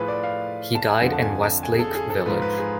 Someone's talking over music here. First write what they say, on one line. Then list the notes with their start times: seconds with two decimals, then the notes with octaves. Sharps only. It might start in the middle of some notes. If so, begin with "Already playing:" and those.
He died in Westlake Village.
Already playing: A2 F3 G#4 B4
0.08 D5
0.23 F5
0.75 A5
0.88 G#5
1.01 F2 D3 F3 F#5
1.12 A5
1.22 G#5
1.43 A5
1.63 G#5
1.74 G#4
1.79 A4
1.95 G#4
2.10 A4
2.26 G#2 F3 B4
2.42 B4
2.58 G#4